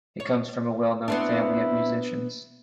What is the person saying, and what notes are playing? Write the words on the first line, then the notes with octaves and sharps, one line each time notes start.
He comes from a well-known family of musicians.
C#5
B3 C4 D4 E4